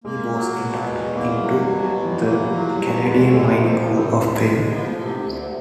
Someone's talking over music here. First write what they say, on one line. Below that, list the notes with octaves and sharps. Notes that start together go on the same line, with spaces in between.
He was inducted into the Canadian Mining Hall of Fame.
G#3 A#3
F#3
B2
E2
G#3 A#3
F#3 G3
B2 G3
E2
E3
F3
A#3
E3
F3 F#3
B2 G3
E2 G#3
G#3 A3
A#3
F3
E4
C3
E4
D2
G#3
F3
C3
D2